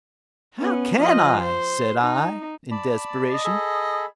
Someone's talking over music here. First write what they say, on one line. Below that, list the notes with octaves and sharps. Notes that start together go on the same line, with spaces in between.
"How can I?" said I, in desperation.
B3 C#4
F3 D#5
C5
D#4
D5 A5 B5
D#5
G#4 A4 B5